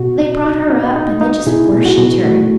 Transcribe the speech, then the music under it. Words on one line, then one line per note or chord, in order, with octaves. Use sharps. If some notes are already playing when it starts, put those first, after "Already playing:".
They brought her up and they just worshipped her.
Already playing: B2 F#4
D#4
D#4
D#4
D#4
D#4
B2 E4 G#4
B2
F#4
B2
A3 F#4